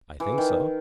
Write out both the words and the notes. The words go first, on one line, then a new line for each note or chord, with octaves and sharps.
"I think so."
E3
D#3